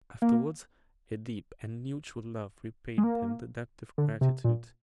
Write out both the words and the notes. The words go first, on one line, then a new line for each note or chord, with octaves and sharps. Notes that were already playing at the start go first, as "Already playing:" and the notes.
Afterwards a deep and mutual love repaid him the debt of gratitude.
A#3
G#3
A#3
D3
C3
A#2